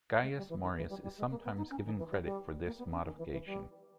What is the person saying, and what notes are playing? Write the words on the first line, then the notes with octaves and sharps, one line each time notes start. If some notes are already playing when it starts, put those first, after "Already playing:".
Gaius Marius is sometimes given credit for this modification.
G#3
G3
E3
D#3
E3
G3
G3
G#3
A#3
B3
D#4
C#4
D#3
E3
G3
G3
A#3
B3
C#4
D#3
E3
E3
G3